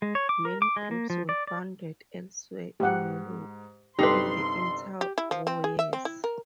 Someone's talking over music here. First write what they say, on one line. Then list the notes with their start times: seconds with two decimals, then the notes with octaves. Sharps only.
Many groups were founded elsewhere in Europe in the inter-war years.
0.02 G#3
0.15 C#5
0.29 D6
0.45 A#4
0.62 D6
0.76 G#3
0.91 A#3
1.10 F3
1.29 D5
1.47 D5
2.80 G#2 G4 F#5
3.99 G1 C3 D#4 G4 A4 B4 C6
5.01 G4
5.18 E4
5.31 F3
5.47 C4
5.64 G#4
5.79 E5
5.93 C4
6.05 E4
6.24 A#4